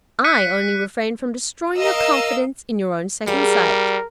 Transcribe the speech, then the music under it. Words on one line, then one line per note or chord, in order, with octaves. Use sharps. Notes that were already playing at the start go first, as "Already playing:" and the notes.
"I only refrained from destroying your confidence in your own second-sight."
F#6 B6 C#7 D#7
A#4 D#5 F5 E6
G3 G#4 A#4 D5 F5